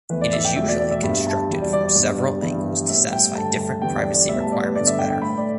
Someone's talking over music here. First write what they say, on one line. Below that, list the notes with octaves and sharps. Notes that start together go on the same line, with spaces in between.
It is usually constructed from several angles to satisfy different privacy requirements better.
E2 E3 A3 B4
D5
E5
G5
E2 B2 A3 E5
D5
D5
E5
G2 G3 B3 E5
A5
E2 B2 G3
D5
D5
D5
G2 G3 B3
G2 E3 G3 B3
A2 G3 B3 E5
G5
G2 D3 A3 A5
A5
E2 D3 G3 B3 G5
D5
D5
A2 G3 B3 E5
A5
D5
B4
G2 D3 B3 D5
E5
G5
G5
A2 A3 B5
D5